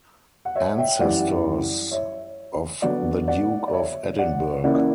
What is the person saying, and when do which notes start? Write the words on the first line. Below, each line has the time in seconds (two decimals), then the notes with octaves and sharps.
Ancestors of The Duke of Edinburgh.
0.45 F#5
0.55 C#5 E5
0.78 E5 G5
1.00 F#2 E3 G3 D5 F#5
1.91 C#5 E5
2.82 D3 F#3 B3 D5 F#5
3.28 D5 F#5
3.68 D5
3.73 C#5 E5
4.19 D5 F#5
4.64 C#3 E3 A#3 C#4 E4 D5 F#5
4.75 D5